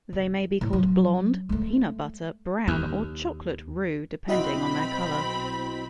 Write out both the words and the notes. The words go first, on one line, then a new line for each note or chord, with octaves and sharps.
They may be called "blond", "peanut-butter", "brown" or "chocolate" roux depending on their color.
F#2
A2
F#3
G#3 A3
D#2
B1 C4 E4 F#4 D#5 B5